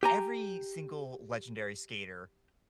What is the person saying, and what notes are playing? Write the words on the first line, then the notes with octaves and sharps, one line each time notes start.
every single legendary skater
G4 G#5 A#5